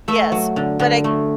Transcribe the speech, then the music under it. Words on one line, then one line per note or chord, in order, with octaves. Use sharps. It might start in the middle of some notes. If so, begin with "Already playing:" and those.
Yes, but I
A3 E5
F#3
D3
D3
A3